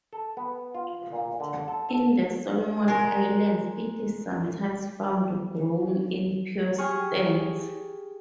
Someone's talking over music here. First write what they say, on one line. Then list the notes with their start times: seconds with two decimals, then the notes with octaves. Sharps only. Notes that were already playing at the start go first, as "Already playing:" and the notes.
In the Solomon Islands it is sometimes found growing in pure stands.
0.13 A4
0.37 B3
0.75 F4
1.12 A#2
1.40 D3
1.68 A4
1.89 A4
2.88 G#3 A#4
6.78 G4 G#4 C#6 F6 G6